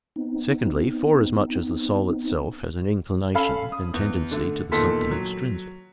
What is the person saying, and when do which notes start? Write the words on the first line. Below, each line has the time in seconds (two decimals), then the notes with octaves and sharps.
Secondly, forasmuch as the soul itself has an inclination and tendency to the something extrinsic.
0.16 B3 C4 D#4
3.35 C#4 A4 F5 B5
3.72 D#6
3.94 E2
4.31 D3 A3
4.72 E2 A#2 D#3 A4 C6 B6
5.11 F#3